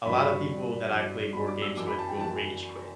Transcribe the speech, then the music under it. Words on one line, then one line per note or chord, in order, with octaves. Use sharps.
a lotta people that I play board games with will rage quit,
G2 F#3 B5
B5
C#6
G2 F#3
G2 F#3 D6
G2 F#3 B5
D6
E6
F#2 E3 D6
B5
A5
G5
F#2 E3 A5